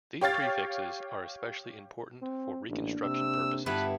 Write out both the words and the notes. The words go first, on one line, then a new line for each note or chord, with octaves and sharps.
These prefixes are especially important for reconstruction purposes.
G4 C#5 F5 A6
C4
A1 A#3 D4
C3 E6
G1 G2 B3 E4 B4